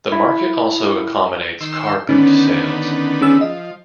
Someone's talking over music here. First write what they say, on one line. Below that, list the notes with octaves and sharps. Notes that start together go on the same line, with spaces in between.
The market also accommodates car boot sales.
E4
D#3 C6 E6
D3 D#3 B3 C#4
C#4 G#4 E6
F3 D#5